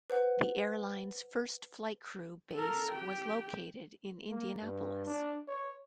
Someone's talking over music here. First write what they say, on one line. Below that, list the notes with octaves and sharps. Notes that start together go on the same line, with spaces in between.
The airline's first flight crew base was located in Indianapolis.
B4 C5 F#5
A4 A#4
G4 G5
A#3
G2
D4
C#5